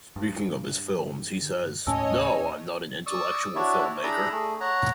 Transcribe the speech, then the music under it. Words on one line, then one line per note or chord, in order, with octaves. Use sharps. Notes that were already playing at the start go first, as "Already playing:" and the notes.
Speaking of his films, he says, No, I'm not an intellectual filmmaker.
G2
D#2 A2 C#4 C#5 D#5 G#5 A5 E6
D5 C#6 D#6 E6
D4 E4 F#4 C#5 D5 E5
D4 E4 G#4 A#5 B5 E6
A3 G#4
C#5 F#5 A#5